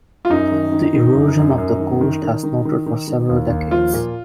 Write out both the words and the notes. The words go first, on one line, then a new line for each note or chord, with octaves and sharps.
The erosion of the coast has noted for several decades.
F4
F#2 D#4
D#3
D#3
D#3
F#2
F#2
F#2
D#3
D#3
D#3
D#3
D#3
D#3
D#3
D#2
D#2
F3 F4
A#2